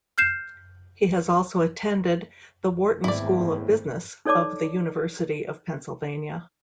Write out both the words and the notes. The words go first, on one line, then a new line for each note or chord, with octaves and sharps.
He has also attended the Wharton School of Business of the University of Pennsylvania.
F6 G6 C7 E7
G#1 E2 A2 E4 D5
D#4 A4 C#5 D5 A5 D6